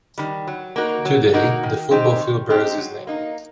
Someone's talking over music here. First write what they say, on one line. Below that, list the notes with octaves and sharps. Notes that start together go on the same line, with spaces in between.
Today, the football field bears his name.
D#3 G3
F#3
A#3 D#4 F#4 A#4
F#3
A#3 D#4 F#4 A#4
D#3
G#3 C4 D#4 G4
D#3
G#3 C4 D#4 G4
F#3
A#3 D#4